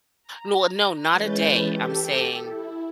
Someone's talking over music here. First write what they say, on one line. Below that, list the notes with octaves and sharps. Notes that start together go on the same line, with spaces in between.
No a no not a day, I'm saying
A#5
E3 G#3 C#4 B4 G6 A6
G4 A4
E4